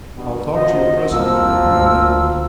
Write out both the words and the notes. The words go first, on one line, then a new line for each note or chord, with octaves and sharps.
I'll talk to you presently, young woman.
G2 B2
F#2 A#2 F3 F#3 D#4 C5 D#5
C2 F3 A#3 C5 E6
D2 C5